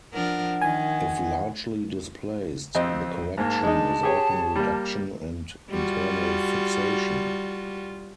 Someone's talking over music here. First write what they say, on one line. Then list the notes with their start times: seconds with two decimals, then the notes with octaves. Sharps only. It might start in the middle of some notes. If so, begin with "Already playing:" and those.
If largely displaced, the correction is open reduction and internal fixation.
0.13 F3 D4 A#4 F#5
0.61 D#3 G#5
2.75 F2 C4 D#5
3.38 G#2 A#3 A5
3.63 G#3 D4 D#4
4.03 G4 G#4 C#5
4.56 G3 A#3
5.71 G3 F4 F#4